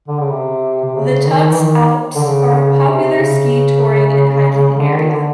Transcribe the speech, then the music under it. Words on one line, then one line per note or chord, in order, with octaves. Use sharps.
The Tux Alps are a popular ski touring and hiking area.
D3
C#3
C3
C3
C#3
D#3
E3
D#3
D3
C#3
D3
C#3
C3
C#3
D3
D#3
D3